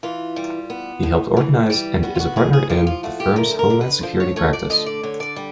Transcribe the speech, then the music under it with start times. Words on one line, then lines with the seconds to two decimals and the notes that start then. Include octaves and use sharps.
He helped organize, and is a partner in, the firm's Homeland Security Practice.
0.03 E3 F4
0.36 G3
0.70 B3
1.03 A2
1.37 E3
1.70 G3
2.03 B3 F#4
2.15 F4
2.20 F#4
2.36 A2 G#4
2.53 G#4
2.70 F3 G4
2.87 F4
3.03 A3 F#4
3.20 G4
3.36 D3 A#4
3.59 A#4
3.70 D3
3.81 B4
4.03 F3 C5
4.20 C#5
4.36 A3 C#5
4.53 D5
4.70 D3 D#5
4.86 D5
5.03 D3 C#5
5.20 D5
5.36 G3